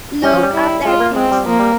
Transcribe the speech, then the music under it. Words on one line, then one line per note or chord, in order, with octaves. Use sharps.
Look after things.
G3 C#4
F3
G3
E4
G#3 F4
A#3
G#3 C4
G3
F3 A#3
G3